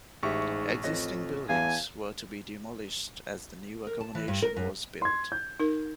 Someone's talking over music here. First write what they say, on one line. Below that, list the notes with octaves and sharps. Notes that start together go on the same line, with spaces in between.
Existing buildings were to be demolished as the new accommodation was built.
A1 G#2 G4 E5 C#6
F2 B4 C#5 D#5
E2 F5 G#5 A5
A#4
A5
E3
G2
A#4
F#2
C6 G#6
G6
D#4 A#4